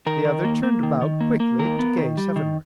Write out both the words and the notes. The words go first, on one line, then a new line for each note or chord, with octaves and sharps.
The other turned about quickly to gaze heavenward.
D#3 A#4
D#3
A#3
A#3
D#3
D#3
A#3
A#3
D#3 A#4
B3
D#3
G3
D#3